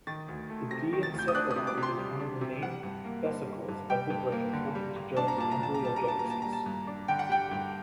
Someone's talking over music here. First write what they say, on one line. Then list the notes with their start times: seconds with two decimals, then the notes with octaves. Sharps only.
The diencephalon is one of the main vesicles of the brain formed during embryogenesis.
0.07 D#3 A6
0.28 D2
0.50 A3
0.71 C3 A#6
0.93 D#3
1.03 A6
1.13 D2
1.19 G6
1.28 D#6
1.35 D4 F#6
1.51 D#6
1.56 C3
1.67 D6
1.77 C3
1.83 C6
1.98 G3
2.20 D4
2.41 C3
2.62 G3 F#5
2.83 G2
3.05 A#3
3.26 D3
3.47 G3
3.69 G2
3.90 G3 G5
4.10 G2
4.32 A#3
4.53 D3
4.75 G3
4.96 G2
5.17 D4 A5
5.28 A#5
5.38 A#2 A5
5.51 A#5
5.60 A#2 A5
5.74 A#5
5.81 G3 A5
5.96 A#5
6.03 D4
6.08 A5
6.19 A#2 A#5
6.30 A5
6.42 G3 A#5
6.53 A5
6.66 G2
6.87 D4
7.08 D3 G5
7.19 F#5
7.29 G3 G5
7.52 G2